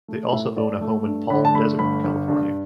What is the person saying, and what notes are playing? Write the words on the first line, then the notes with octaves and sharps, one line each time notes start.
They also own a home in Palm Desert, California.
A3
A2 E5
A2 D5
A3
G2
D3 B5
A5
A3 B5
G1 B5
G1
G2